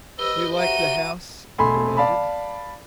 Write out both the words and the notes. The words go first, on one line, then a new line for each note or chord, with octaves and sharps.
"Do you like the house?" he demanded.
G4 B4 C5 D#5 E6
F#4 E5 A#5 D#7
E1 A3 G#5 B5 C6
D5 F5 A5 B5